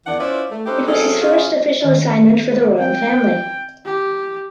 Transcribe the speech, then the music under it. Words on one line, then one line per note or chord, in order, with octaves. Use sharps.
It was his first official assignment for the royal family.
E2 D#3 E3 D4 D5 F#5
C#4 E4 F4 B4 C5 D5
A3
C#4 D#4 G4 A4 B4 C5
F#3 C4 C#4 G#4 A4 E5
C#4 D#4 F4 G#4
D#3 C#4 D#5
C4 G5
G4